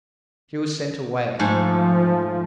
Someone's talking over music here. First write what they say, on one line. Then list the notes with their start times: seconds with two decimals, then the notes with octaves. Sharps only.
She was sent away.
1.39 G#2 F3 A3